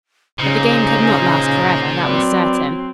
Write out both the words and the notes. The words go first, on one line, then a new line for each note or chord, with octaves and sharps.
But the game could not last forever, that was certain.
A#2 C#3 D#4 C5 A#5
F#3 C4 B4 D5